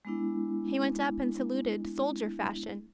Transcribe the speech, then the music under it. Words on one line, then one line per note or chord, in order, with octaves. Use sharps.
He went up and saluted, soldier-fashion.
G#3 B3 D4 E4